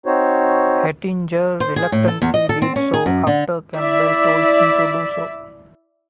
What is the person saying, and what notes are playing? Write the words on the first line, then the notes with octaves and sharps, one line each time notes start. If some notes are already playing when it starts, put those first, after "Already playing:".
Hettinger reluctantly did so after Campbell told him to do so.
C4 D#4 F#4 C5 C#5
C5
G#4
A2
A4
E2
D#5
A4
C4
C#4
G#4
F#2
D3
E4 D5 E5